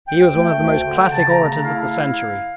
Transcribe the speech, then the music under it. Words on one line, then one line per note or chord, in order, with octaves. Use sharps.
He was one of the most classic orators of the century.
D2 G5
A3
D2
D3
G5
C#3 A5
A#5
A3
A5
E4 F5